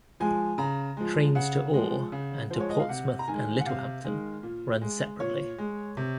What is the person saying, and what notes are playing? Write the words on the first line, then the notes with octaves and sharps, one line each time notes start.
Trains to Ore and to Portsmouth and Littlehampton run separately.
F3 G#3 G#5
C#3 A#5
F3 G#3
C#3 F#5
F3 G#3
C#3
F3 C5
G#3 C#5
D#5
F5
C3 F#5
A#5
D#3 G#3 G#5
F#5
C3 F5
D#3 G#3
A#2
G#3
A#2 C#5
G#3
C3